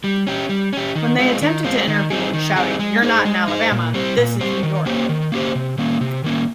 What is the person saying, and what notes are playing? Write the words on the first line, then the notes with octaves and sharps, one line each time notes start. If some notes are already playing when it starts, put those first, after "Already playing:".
When they attempted to intervene, shouting, You're not in Alabama...this is New York!
G3
C#4 G4
G3
C#4 G4
D#3
G#3 C4 F4
D#3
G#3 C4 F4
D#3
G3 C4 D#4 G#4
D#3
G3 C4 D#4 G#4
G#3
D#4 G#4 C5
G#3
D#4 G#4 C5
A#2
G3 C4 G4 C5
A#2
G3 C4 G4 C5
D#3
A#3 C#4 G4 C5
D#3
A#3 C#4 G4 C5
C3
D#3 A#3 C#4
C3
D#3 A#3 C#4